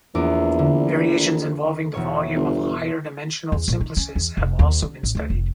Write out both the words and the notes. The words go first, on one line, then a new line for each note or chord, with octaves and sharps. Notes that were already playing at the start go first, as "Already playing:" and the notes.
Variations involving the volume of higher-dimensional simplices have also been studied.
A#1 E2 D6
D3
E1 B2 C#5
G1
E2
A#1
D#4
C#4
E2
F1
D#2
D3
A1
D2
F1